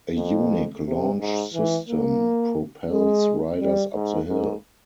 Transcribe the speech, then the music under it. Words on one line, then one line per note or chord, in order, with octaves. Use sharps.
A unique launch system propels riders up the hill.
F2
C3
G#2
E3
A#3
G#3
G3
G#2
G#2